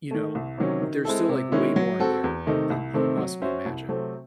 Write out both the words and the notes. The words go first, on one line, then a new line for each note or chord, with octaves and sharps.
You know, there's still, like, way more there than you can possibly imagine.
D#3 A3
C2
C3 D#3 F#3 C#4
D#3
G#3 C4 E4 A4
C3
D#3 G#3 C#4 E4
F#3
C4 F#4 A4
E2
C3 D#3 A3 D#4
C2
C3 D#3 A3 C4
F#3
C#4 F#4 C5 E5
C2
C3 F#3 A3 C4